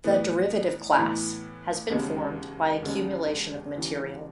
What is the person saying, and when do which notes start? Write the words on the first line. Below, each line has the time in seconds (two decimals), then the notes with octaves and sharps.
The derivative class has been formed by accumulation of material.
0.04 A2 E3 B3
0.97 A2 E3 B3
1.90 E1 D#2 C#3 G#3 C#4
2.82 E1 D#2 C#3 G#3 C#4
3.76 E1 D#2 C#3 E3